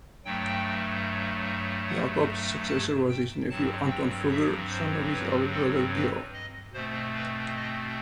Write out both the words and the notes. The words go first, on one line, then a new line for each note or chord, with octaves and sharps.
Jakob's successor was his nephew Anton Fugger, son of his elder brother Georg.
G2 F#3 A3 G5
F#5
A5
G5
G2 F#3 C4 A5
G5
E5
C5
B4
A4
B4
D#5
B2 A3 C4 C5
B4
D#5